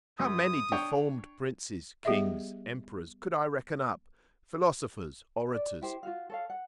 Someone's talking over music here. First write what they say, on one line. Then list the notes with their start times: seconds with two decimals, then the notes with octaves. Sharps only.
How many deformed princes, kings, emperors, could I reckon up, philosophers, orators?
0.19 F#2 D#6
0.72 D4 C#5 G5
2.05 G3 B3 G4 G#4 D#5 E5
5.54 D5
5.81 E4 G4 C5
6.03 F4 F#4 F5
6.30 A4 C#5 F5
6.50 F#5